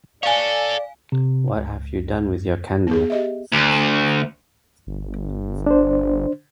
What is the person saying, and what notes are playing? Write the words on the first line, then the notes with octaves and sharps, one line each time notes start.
What have you done with your candle?
A4 C#5 D5 F5 G#5
C3
C#2
B3 G#4
G4 D#5 E5
D2
G1
D4 C5